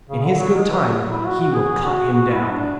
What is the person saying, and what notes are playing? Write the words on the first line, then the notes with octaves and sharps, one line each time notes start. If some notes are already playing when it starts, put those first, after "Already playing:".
In His good time He will cut him down.'
C#3
D3
F#3
G#3
E3
F#3
F#3
E4
F#4
F#4
G#4
F#4
F#4
E4
D4